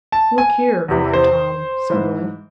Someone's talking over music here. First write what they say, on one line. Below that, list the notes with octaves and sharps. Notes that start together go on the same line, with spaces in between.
"Look here!" cried Tom, suddenly.
A5
G#5
E2 C3 E3
C5
G#2 E3